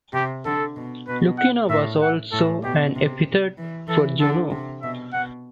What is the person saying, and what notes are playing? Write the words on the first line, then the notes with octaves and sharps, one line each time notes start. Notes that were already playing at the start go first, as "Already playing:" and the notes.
Lucina was also an epithet for Juno.
C3 G4
D3 A4
B2
B2 B4
F#5
A2 E5
F#5
A2 A4
B2 G4
C3
E3
E3 A4
D3 A4
C3
B2 E5
B2 F#5